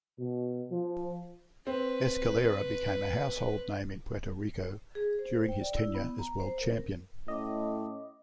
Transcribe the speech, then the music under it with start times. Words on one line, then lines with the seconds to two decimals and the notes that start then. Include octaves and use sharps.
Escalera became a household name in Puerto Rico during his tenure as world champion.
0.18 B2
0.71 F3
1.67 C4 B4
4.95 G#4
5.19 C5
5.34 C5
5.49 G5
5.61 D5
5.77 E4
5.95 B3
6.19 A#5
6.40 C5
6.61 A#4
7.28 A2 C#4 D#5 D6